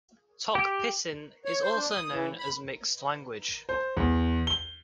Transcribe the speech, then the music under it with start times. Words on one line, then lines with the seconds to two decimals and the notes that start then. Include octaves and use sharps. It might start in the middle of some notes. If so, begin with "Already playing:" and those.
Tok Pisin is also known as a "mixed" language.
0.55 G4
1.45 C#5
1.62 C5
1.76 D4
1.91 D#6
2.11 E3
2.39 B5
3.69 C5
3.97 E2
4.47 G7